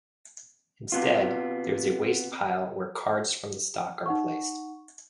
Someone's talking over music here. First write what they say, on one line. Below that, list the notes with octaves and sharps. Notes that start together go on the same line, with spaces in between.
Instead, there is a wastepile where cards from the stock are placed.
C3 B3 F4
D#4 F#5 C#6